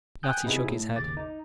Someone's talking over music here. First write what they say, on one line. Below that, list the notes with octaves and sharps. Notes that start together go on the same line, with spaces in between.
Natty shook his head.
G5 G#5 D#6 F#6 G6
C3 B3 D#4 E4 G#4
A2
G#1 D#2 C#3 D6 A6
D#4